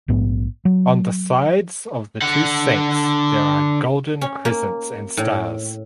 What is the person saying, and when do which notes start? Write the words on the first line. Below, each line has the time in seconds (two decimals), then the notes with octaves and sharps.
On the sides of the two saints there are golden crescents and stars.
0.08 A#1 G#2 B3
0.65 F#3
2.22 D3 F#5
4.21 C#4
4.45 A#3
5.17 A2